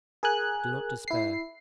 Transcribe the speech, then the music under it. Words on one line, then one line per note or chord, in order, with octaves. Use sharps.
Do not despair!
G#4 A#4 G#5 F#6
E4 C7